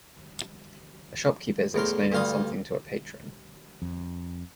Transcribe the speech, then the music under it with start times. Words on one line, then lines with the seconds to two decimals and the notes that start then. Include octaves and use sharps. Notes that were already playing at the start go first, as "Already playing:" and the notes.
A shopkeeper is explaining something to a patron.
1.74 E2 A2 A#4 C6
2.12 D2 G2 G3 F5 C6 D#6
3.82 F2